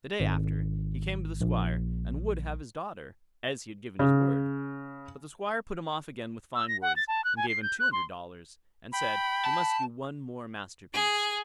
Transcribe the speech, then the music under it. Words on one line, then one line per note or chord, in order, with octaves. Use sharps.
The day after, he came to the Squire and would have his daughter, as he had given his word; but the Squire put him off again with fine words, and gave him two hundred dollars, and said he must do one more masterpiece.
G#1
A#1
C#3
E6
A#6
F#5
A6
A5
F#6
G#5
C7
G6
F#6
C6
G5 B5
A5
G#4